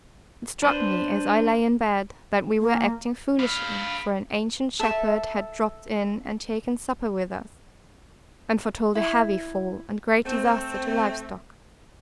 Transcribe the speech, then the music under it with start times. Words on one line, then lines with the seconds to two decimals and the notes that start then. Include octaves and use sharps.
It struck me, as I lay in bed, that we were acting foolishly; for an ancient shepherd had dropped in and taken supper with us, and foretold a heavy fall and great disaster to live stock.
0.62 D4 B4 C5
2.60 A#3
3.39 B4 F5
4.80 A4 E5
8.95 E4
10.25 A3 C4